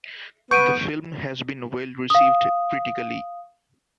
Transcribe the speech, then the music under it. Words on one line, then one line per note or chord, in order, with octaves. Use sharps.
The film has been well-received critically.
B3 C#6 G6 D7 D#7
F5 D#6